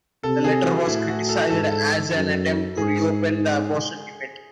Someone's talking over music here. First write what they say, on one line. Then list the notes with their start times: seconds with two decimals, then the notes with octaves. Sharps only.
The letter was criticized as an attempt to reopen the abortion debate.
0.23 C3 A4
0.44 G#4
0.66 F#4
0.87 A2 E4
1.08 F#4
1.29 A4
1.50 G#2 A4
1.71 A4
1.92 A4
2.14 F#2
2.77 G#2 G#4